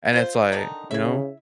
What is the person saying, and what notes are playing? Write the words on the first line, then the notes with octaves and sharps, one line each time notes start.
And it's like, you know?
F4 C5
D3 D#3 D#4
C#3 E4 E5